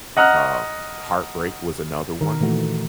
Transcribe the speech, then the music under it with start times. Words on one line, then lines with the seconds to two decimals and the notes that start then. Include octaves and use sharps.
um, heartbreak was another one,
0.17 D#5 F#5 A#5 F6 F#6
2.21 D#3 A#4
2.40 A#2 E3 A3 F#4